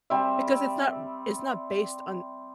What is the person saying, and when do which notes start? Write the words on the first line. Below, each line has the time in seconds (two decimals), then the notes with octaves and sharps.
Because it's not r it's not based on,
0.10 G3 C4 E5